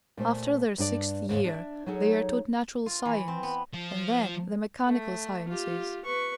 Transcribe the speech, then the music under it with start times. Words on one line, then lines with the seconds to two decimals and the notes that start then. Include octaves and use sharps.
After their sixth year they are taught natural science, and then the mechanical sciences.
0.17 A#2 A3 C5
0.78 G2 D4 G#4 D5
1.29 D#2 G#2 C#3
1.44 D4 D5 E5
1.86 F#3 D#4 G#4 A4 C#5
2.86 F4
3.05 E3
3.28 C4
3.43 B3
3.74 F3
4.86 A3
5.49 F4 G4
6.05 B4 C#6